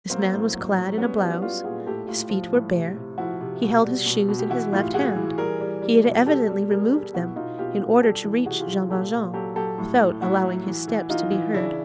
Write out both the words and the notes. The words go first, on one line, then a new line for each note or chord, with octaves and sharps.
This man was clad in a blouse; his feet were bare; he held his shoes in his left hand; he had evidently removed them in order to reach Jean Valjean, without allowing his steps to be heard.
F#3 A#3 C4
A2
F#3
F#3
G3 B3 C#4
G3 E4 F#4
G3 F4 G4
A#2 F#4 G#4
A2 G4 A4
A2 F4 G4
F3
A2
C3
C3
F3 E4 F#4
C3
B2
G3
B2
B2
G4
E3 E4 F#4
A2 F4 G4
E3 F#4 G#4
E3
G3 G#4 A#4
G3
G3
B2
G3 G4 A4
G3
G3 G#4 A#4
G3
B2 E4 F#4
B2 D#4 F4
B2 F4 G4
B2
G3 G4 A4
E3
C3 F#4 G#4
F4 G4
C3
A#2 G4 A4
A#2
F#3 G4 A4
F#3 G4 A4
A2
A2
A2 E4 F#4
F#3
E3
E3
E3 D#4 F4
E3
C#3 D4 E4